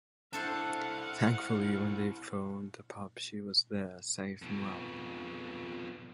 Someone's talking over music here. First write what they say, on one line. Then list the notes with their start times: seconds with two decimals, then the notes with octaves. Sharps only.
Thankfully when they phoned the pub she was there safe and well.
0.33 C4 D4 E4 A4 C5 F5 F#5
4.42 F2 B2